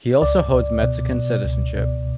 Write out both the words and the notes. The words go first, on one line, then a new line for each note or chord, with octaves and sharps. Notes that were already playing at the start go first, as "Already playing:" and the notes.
He also holds Mexican citizenship.
C#2 D5
C#2
B2
B2
C#2
B2